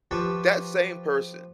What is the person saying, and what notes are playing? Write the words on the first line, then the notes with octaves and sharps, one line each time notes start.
that same person
F3 G4 B4 A5 C#6